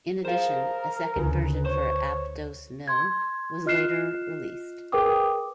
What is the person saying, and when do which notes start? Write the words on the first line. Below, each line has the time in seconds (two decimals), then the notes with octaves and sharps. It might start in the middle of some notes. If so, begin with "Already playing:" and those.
In addition, a second version for "Ape Dos Mil" was later released.
0.25 G#4 A#4 C5 F5
0.78 A#5
1.16 D2 C#3 B4
1.65 C5 C#5
2.88 C6 G#6
3.66 F4 D#5 F6 F#6 C7 E7
4.92 G#4 A#4 B4 G5 D6 D#6